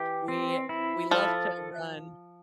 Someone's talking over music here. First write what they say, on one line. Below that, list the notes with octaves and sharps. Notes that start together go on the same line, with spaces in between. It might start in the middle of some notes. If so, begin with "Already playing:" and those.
we we love to run
Already playing: E3 G4
C4
E4
F3 A4